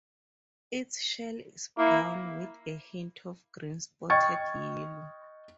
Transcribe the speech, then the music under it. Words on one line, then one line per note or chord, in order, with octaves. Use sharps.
Its shell is brown with a hint of green, spotted yellow.
A#3 E4
D#5 G5 C#6 G#6 A6